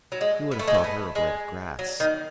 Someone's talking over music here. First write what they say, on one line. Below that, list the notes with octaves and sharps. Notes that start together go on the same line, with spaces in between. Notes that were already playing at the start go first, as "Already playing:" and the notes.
You would have thought her a blade of grass.
F#3
G#3
B3
A3
G#3
A3
B3
G#3
F#3
D#3